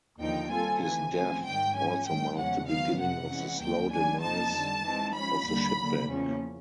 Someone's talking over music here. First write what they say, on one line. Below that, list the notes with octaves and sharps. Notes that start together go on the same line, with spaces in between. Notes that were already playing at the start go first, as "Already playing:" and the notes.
His death also marked the beginning of the slow demise of the Ship Bank.
D#2 D3 F3 A#3 D#4 G5
G3 C4 F4 A4 G#5
D2 C3 E3 G#5
C#3 F3 A3 C4 G#5
G#2 D#3 G3 G5
F3 G#3 C#4 G#5
F#2 D#3 G#3 G5
E2 C#3 F3 G#3 C#4 F#5
D#3 F#3 B3 F5
F2 C3 F3 F#5
E3 G#3 C#4
D#2 D3 F#3 A#3 G5
F#3 A3 D4 G#5
F2 C3 F3 A#3 D#4 A5
D3 G3 C4
E3 G#3 C4 D#4
F3 G#3 C#4 B5
D#2 D3 G3 A#3
D3 F#3 A#3
E2 C#3 F3 A#3 C#4